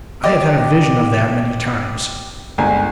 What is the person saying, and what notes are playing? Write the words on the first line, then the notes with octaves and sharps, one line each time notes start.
I have had a vision of that many times.
G4 D5 D#5
G1 C#2 G#5